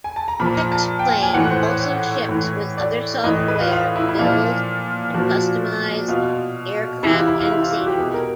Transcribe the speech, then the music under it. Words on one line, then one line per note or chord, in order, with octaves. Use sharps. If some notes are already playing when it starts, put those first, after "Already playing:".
"X-Plane" also ships with other software to build and customize aircraft and scenery.
G#5
A5
A#5
A#2 F3 B5
A#5
A5
G5
G#5
G#5
A2 E3 F#5
C5
C#5
A2 E3
D5
A2 E3 D#5
D#5
B4
F4
F4
E4
E4
A#2 F3 F4
A#2 F3 F#4
B2 F4
C3 E3 E4
F4
E4
F4
E4
F4
F#4
G4
B2 G#4
A#4